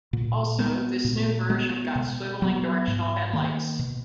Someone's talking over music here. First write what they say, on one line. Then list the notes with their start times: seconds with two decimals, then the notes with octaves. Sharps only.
Also, this new version got swivelling directional headlights.
0.13 A#2
0.59 G#3 B3
1.05 A#2
1.50 G#3 B3
1.95 B2
2.42 F#3 B3
2.88 G#2
3.33 D#3 A#3
3.79 B2